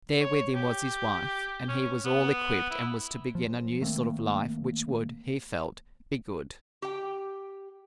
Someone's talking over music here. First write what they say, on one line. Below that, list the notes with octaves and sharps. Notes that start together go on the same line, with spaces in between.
There with him was his wife, and he was all equipped and was to begin a new sort of life which would, he felt, be good.
C#5
G4
C#4
B3
E4
F3
D#3 A3 A#3 C4
G4 G5